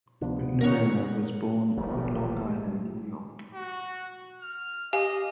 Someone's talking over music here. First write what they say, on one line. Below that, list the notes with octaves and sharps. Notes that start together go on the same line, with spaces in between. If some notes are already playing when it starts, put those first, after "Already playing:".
McNamara was born on Long Island, New York.
D2 C3 F3 B3 D4
D#3 C#4 D#4 A#4 C#5 F#5
D#1 A#1 A2 E3 G3
F#4
F6
G4 D#5 F5 G#5